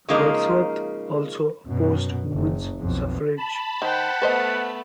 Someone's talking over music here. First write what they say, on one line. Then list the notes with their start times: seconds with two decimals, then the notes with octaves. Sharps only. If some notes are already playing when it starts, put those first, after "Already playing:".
Wadsworth also opposed women's suffrage.
0.09 C#3 F3 G#3 A#3 D#4
1.67 F#2 B2
2.33 F#1
2.80 B1 F2
3.37 A5 B5
3.82 D#3 C5 F#5 G5
4.22 A3 B3 B4 C5 D#5